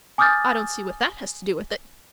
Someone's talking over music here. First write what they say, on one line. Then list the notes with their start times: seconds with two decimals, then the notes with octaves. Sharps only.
I don't see what that has to do with it.
0.18 G#5 D6 D#6 F6 G6 A6